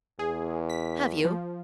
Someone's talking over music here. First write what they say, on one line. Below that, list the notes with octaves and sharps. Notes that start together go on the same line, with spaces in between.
"Have you?"
E2 G#4
B6
F3